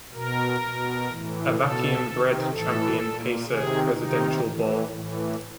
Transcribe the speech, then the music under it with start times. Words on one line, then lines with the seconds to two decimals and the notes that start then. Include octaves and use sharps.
Avakian bred champion pacer Presidential Ball.
0.13 B2 A#4
0.61 B2
1.08 A2 E3
1.56 B2 A4
2.03 C3 D#3
2.51 A2 E3 A4
2.98 A#2
3.46 C3 D#3 G#4
3.93 C3 D#3 D#4
4.41 A2 E3
4.88 A2 E3